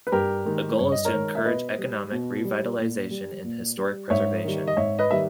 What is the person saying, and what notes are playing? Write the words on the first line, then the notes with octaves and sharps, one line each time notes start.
The goal is to encourage economic revitalization and historic preservation.
B4
G2 G4 A#4
D#3 G#3
G2 C#5
D#5
A#4 C#5
D#3 G#3
E5
B2 B4 D#5
G3
B2
G3
A#2
G3
A#2
G3
G#2 C#5 E5
D#3 G3
D#5
G#2 C#5 E5
B4 D#5
D#3 G3 E5